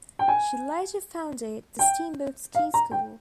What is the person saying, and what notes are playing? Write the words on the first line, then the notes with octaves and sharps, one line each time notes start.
She later founded the Steamboat Ski School.
G5
G#5
G5
F5
A#5
G5